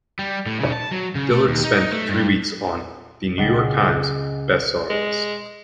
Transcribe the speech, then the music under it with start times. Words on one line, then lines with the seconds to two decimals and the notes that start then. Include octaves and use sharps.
Dillard spent three weeks on "The New York Times" Best Seller list.
0.19 G3
0.46 A2
0.60 C#3
0.72 A5
0.91 F#3
1.15 C#3
1.30 A3
1.47 D#2
1.64 D#4
1.93 A3
2.09 G2
3.38 C#2 D#5 F#5 G5 A6
4.90 G#3